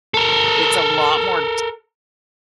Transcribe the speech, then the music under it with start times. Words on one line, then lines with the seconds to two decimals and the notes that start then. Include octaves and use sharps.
It's a lot more
0.14 A4 A#4